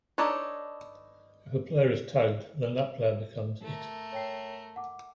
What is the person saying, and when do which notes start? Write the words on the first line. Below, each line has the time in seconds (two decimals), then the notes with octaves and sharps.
If a player is tagged, then that player becomes It.
0.18 D4 D#4 A4 B4 C#5
3.62 A3 A#4
4.12 C#5 G5 C7
4.76 F#5 D6